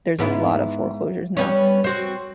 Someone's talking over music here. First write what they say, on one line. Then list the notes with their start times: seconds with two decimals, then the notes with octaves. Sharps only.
there's a lot of foreclosures now,
0.19 G#2 B3 E4
1.37 G3 B3 C#4
1.84 C4 F#4 C5